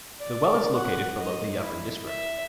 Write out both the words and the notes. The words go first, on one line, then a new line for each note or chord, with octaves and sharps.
The well is located below the Yaren district.
D5
F#5
D#5
E4
E5